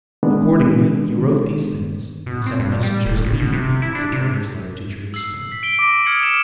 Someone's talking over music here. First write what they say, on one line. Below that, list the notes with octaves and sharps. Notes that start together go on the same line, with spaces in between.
Accordingly, he wrote these things, and sent messengers immediately to carry his letter to Jerusalem.
D3 D#3 G#3 A#3 B3 D4
B2
C4
G2
G3
D#1
G#1
B2
C3
E4
D4
C3
E6 C7
B6
D7 G7
D6 A#6
D#6 F6 G#6 C#7 D7 F#7
E7